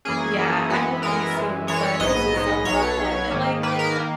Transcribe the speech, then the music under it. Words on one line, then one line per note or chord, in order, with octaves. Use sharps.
Yeah, I hopefully soon, but this was so fun! Like,
F#2 E3 A#3 C#4 G#4
F#2 E3 A#3 C#4
F#2 E3 G#3 B3 F#4
F#2 E3 G#3 B3 A#4
F#2 E3 G#3
F#2 E3 G#3 C#5
A#1 G#2 F#3 B3 D#5
A#1 G#2 F#3 B3
B1 B2 F#3 C#5
B1 B2 F#3
G#2 D#3 A#3
G#2 D#3 A#3 B4
A#4
D#3 A#3